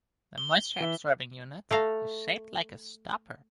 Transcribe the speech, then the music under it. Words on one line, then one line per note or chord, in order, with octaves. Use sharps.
The moisture-absorbing unit is shaped like a stopper.
G7
E3 E5
A3 A4 F5 A#5